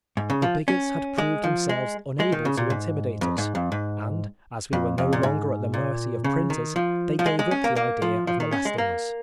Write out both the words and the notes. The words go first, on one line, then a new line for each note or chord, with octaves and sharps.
The bigots had proved themselves unable to intimidate us, and as we were no longer at the mercy of printers they gave up the idea of molesting us.
G#2
C#3
F3
C#4
G#3
F3
G#3
G#3
D#3
C#3
A#2
G#2
F2
G#2
F2
G#2
F2
F2
A#2
G#2
A#2
C#3
D#3
F3
F3
G#3
G#3
C#4
A#3
A#3
F3
F3
D#3
C#4
G#3
A#3